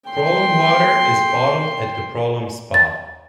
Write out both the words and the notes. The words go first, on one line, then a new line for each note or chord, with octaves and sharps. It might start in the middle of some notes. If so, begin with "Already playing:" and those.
Prolom water is bottled at the Prolom Spa.
G5 C6
A6